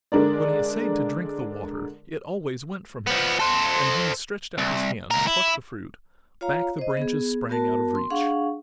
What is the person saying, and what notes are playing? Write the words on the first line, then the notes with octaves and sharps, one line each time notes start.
When he essayed to drink the water it always went from him, and when he stretched out his hand to pluck the fruit, back the branches sprang out of reach.
D3 G#3 D4 A#4 D5
F3 B3
A4 C5
C2
C#2 A#4
E4
F4 C#5 F5 A#5
C5 D#5
B3 G#4
B3 F#4 A#4 A5
C6
D4 G#4 F5 F#5 C#6